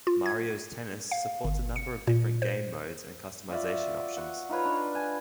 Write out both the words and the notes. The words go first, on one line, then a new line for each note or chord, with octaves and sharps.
"Mario's Tennis" supports a number of different game modes and customization options.
F4
G#6
F5
G1
C#7
A#2
C5
F4 F#4 D5 E5
D5
F#5 C#6
D#4 F4 B4 C#5
D4
G#5 A5